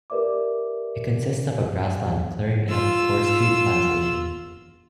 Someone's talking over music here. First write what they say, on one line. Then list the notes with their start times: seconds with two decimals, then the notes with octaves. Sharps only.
It consists of a grassland clearing in a forestry plantation.
0.10 G4 A#4 B4 D5 E5 D6
2.68 F4 E6